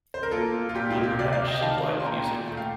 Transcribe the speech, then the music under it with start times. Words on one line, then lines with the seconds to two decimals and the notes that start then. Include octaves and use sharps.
Wilbur Hatch supplied the music.
0.14 C5
0.23 A#4
0.31 A#3 F4 A4
0.54 A#3
0.69 F4
0.75 A#2 G4
0.90 F4
0.97 A#3
1.03 G4
1.18 C3 D5 F5
1.33 D5 F5
1.40 C3
1.48 D#5 G5
1.61 D#3 F5 A5
1.83 D#3
2.00 C6
2.04 A#2 G5 A#5
2.27 A#2
2.48 A3 G5
2.57 F5